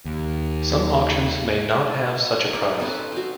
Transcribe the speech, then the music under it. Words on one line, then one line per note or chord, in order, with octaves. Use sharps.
Some auctions may not have such a price.
D#2
D#4
C4 C#4 A4 B4
F#4 F5 G5